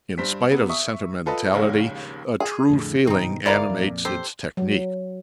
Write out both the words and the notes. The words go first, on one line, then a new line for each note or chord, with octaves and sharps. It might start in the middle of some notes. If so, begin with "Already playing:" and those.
In spite of sentimentality, a true feeling animates its technique.
G2 C5 B6
C3 B3
E5 C#6 D#6
F4 A4 B4 D#5
A#1 D#2 G#2 C#3
G#4
F2 A2 D3
G2 B2 D#3 C4 D#4
G1 E4 A#4 D5 F5
F2 A#2
G4 A4 C5
F#3